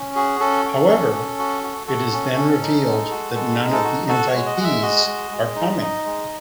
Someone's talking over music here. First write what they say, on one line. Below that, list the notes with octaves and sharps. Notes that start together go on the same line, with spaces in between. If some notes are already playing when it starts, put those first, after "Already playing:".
However, it is then revealed that none of the invitees are coming.
Already playing: C#4
F#4 G#4
C#4 A4
F#4
C#4
C#4
F#4
F#4
F#4 A4
C#4
C#4
D#4
G#3
F#4
G#3 A4
D#4
A4
F#4
F#4 A4
C#5
G#3
D#5
G#3 F#5
E5
F#4 D#5
G#3
G#3
D#4
D#4
G#3